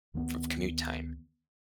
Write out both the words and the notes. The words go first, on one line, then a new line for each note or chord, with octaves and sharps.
f of commute time,
D2 D#3 F#3 B3